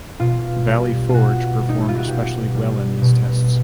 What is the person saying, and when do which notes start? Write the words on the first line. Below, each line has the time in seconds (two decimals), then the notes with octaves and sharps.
'Valley Forge' performed especially well in these tests.
0.20 B2 F4
0.67 G3
1.09 B2 F4 F#4
1.62 G3
1.69 D#4
1.79 E4
1.88 F4
1.98 F#4
2.07 B2 G4
2.54 G3
3.01 B2